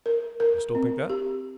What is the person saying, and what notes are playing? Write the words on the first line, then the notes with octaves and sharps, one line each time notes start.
You still think that?
A#4
A#4
C4
G4